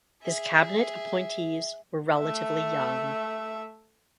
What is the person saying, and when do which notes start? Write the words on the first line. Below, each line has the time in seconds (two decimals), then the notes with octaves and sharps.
His cabinet appointees were relatively young.
0.22 G#4 E5
2.18 A3 E5